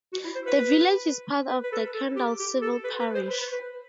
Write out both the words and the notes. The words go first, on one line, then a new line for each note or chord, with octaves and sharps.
The village is part of the Kendal civil parish.
F#4
E4
C5
B4
B4
B4
A4
B4
A4
G4
G4
A4
B4
B4
C5
B4
B4